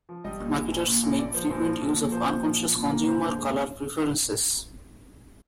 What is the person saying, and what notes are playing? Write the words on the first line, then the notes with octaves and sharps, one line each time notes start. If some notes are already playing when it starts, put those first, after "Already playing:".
Marketers make frequent use of unconscious consumer color preferences.
F3
G3 D#5
A#2
A#1
A#1
A#2
A#1
A#1 D5
F3 C5
A#1 C5
F3
A#1
A#2
F3 C5
A#2
F3
F3
A#2
A#3
D3 C5
D#2
G#3